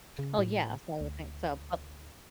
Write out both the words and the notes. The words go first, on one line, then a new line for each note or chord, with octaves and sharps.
Oh, yeah. So, I would think so, but
C#3
A2
D2